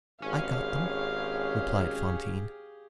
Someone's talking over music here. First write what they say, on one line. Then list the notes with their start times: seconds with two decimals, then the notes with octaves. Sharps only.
"I got them," replied Fantine.
0.22 G#1 C#4 G4 G#4 F5